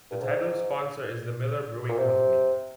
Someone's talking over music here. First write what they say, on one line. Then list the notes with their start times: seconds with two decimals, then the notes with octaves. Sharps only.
The title sponsor is the Miller Brewing Company.
0.11 G2
0.21 G#2
1.89 A#2
1.98 C3